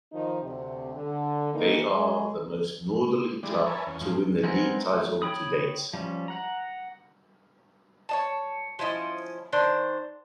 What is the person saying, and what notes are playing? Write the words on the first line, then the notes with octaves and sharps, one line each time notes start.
They are the most northernly club to win the League title to date.
D#3 F3 D#4
D2 C3
D3
D#3 E3 A#3 D#4
G#3 G#4
E3 G3 G#3 D4
A#4 B4 C#5 E5 G#5 A5
E2 C#4
F2 G#2 F3
G#3 B3 C4 A#4
A3
C#5 G5 B5 D#6
F3 G3 C#4
F#5 A#5
C#5 D#5 A5
F3 C#4 E4 D#5
D#3 D4 C5